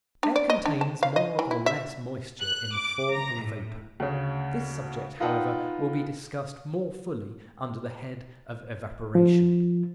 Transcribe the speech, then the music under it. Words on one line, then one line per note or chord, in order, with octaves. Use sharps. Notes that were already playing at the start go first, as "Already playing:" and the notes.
Air contains more or less moisture in the form of vapor; this subject, however, will be discussed more fully under the head of evaporation.
D4
D5
D#5
D4
A5
F5
D#5
E3
E4
E5
F#6
D6
A#5
A2
D2 C#3
D#4 F4 B4 F#5 G5 A5
F3